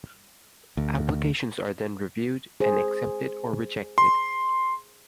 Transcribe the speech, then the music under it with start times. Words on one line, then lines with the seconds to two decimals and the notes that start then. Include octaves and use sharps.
Applications are then reviewed and accepted or rejected.
0.77 D2
2.60 G#4 C5
3.98 C6